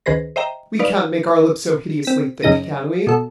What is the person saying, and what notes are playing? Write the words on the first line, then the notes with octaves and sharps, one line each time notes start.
We can't make our lips so hideously thick, can we?
C#2 D#3 G#4 B4 C5 A#6
C5 D#5 E5 G5 A#5
D#4 B4 D5 F5
C4 B6
F#2 C#3 D#4 A#6 D#7
B2 A4